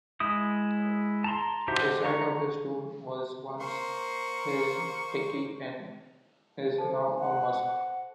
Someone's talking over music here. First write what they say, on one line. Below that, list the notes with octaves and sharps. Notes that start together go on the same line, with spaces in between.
The site of his tomb was once his Tekke and is now a mosque.
G#3 E4 D#6
A5 A#5 C6
D#4 F#4 G4 C5 E5
A#5 C#6
A#3 C5 C#6
A4 C5 A5
F#5